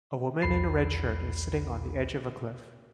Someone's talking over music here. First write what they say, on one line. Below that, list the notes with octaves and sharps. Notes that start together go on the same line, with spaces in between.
A woman in a red shirt is sitting on the edge of a cliff.
B1 E2 B5 C7